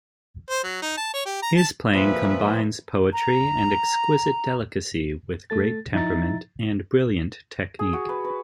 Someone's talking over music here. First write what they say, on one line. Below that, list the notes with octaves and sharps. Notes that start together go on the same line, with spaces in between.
His playing combines poetry and exquisite delicacy with great temperament and brilliant technique.
C5
F#3
D#4
A5
C#5
G4
A#5
A5
A#2 F3 B4 E5
A#5
A3 A4 A6
F3 D#4 E4 E5 A#5 A6
G#4
F#4
B4
B4